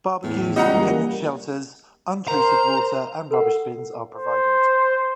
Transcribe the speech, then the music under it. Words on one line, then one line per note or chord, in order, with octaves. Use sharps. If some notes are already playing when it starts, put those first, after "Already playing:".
Barbeques, picnic shelters, untreated water and rubbish bins are provided.
E2 A2
C#2 G3 D#5 F#5 A#5
E3 G3 A#3
A#4 C5 A#5
A4 A#4 F#5
C5